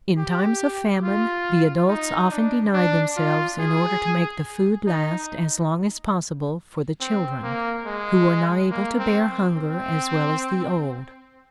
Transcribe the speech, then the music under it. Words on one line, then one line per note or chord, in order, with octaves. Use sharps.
In times of famine, the adults often denied themselves in order to make the food last as long as possible for the children, who were not able to bear hunger as well as the old.
G4
F4
D#4
D4
D4
F4
G#4
D#4
C4
A#3
G#3
A#3
C4
C4